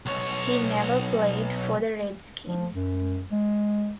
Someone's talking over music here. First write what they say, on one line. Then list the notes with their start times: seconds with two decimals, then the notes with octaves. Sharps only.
He never played for the Redskins.
0.06 B1 C#5
2.48 F3
2.74 F#2
3.32 G#3